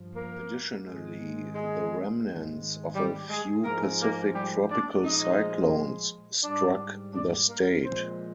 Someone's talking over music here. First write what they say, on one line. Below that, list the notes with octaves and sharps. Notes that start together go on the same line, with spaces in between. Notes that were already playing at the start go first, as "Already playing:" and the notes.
Additionally, the remnants of a few Pacific tropical cyclones struck the state.
Already playing: G2 F3
A#3 A#4
G#2 D#3 G#3
G#3 G#4
G#2 D#3 G#3
G3 G4
G#3 G#4
G#2 F3 G#3 A#3 A#4
A#3 A#4
G3 G4
D4 D5
A#2 F3 G#3 D#4 D#5
G#2 G3 D4 D5
D4 D5
A#3 A#4
A#2 F3 G#3 C4 C5